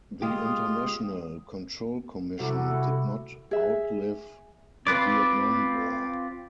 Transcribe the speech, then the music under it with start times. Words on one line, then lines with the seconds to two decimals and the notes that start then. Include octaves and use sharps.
The International Control Commission did not outlive the Vietnam War.
0.22 G#3 F4 G4 D#6
2.39 C3 G3 E4 F#4 A4
3.51 G#4 E5
4.87 C4 F4 B4 D5